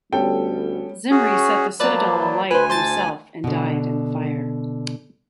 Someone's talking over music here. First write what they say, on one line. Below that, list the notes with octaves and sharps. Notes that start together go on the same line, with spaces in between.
Zimri set the citadel alight himself and died in the fire.
D2 G3 B3 C#4 A4 G5
C#4 F#4 G#4
F3 F#3 A#3 B4 D5 A5
D2 B4 C5 G#5
C5 A5 A6
B2 D3